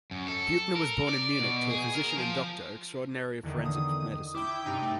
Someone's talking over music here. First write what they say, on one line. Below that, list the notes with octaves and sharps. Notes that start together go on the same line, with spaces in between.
Buchner was born in Munich to a physician and Doctor Extraordinary of Forensic Medicine.
F#2
A4
A#4
D5
B2
G#4
A#4
F3
E2 D3 D#3
D#6
E4 G5 D6
G2 C3 D#4 G5
A3